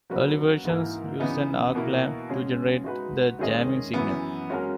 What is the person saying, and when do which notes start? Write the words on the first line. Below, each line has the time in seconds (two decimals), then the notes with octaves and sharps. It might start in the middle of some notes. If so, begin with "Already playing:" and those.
Early versions used an arc lamp to generate the jamming signal.
0.10 F#3 A#3 C#4 F#4 B4
0.65 G#2 E3 A#3 E4 A#4
1.20 C#3 E3 B3 D#4
1.75 B2 A#3 E4
2.29 C#3 G#3 C#4 G#4
2.84 G#3 D#4 F#4 B4
3.39 D#3 G#3 C#4 G#4 D#5
3.94 F#2 E3 B3
4.50 G#3 C#4 F#4 A#4